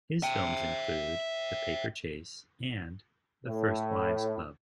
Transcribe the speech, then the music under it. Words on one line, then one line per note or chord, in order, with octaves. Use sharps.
His films include "The Paper Chase" and "The First Wives Club".
E5 G5
A2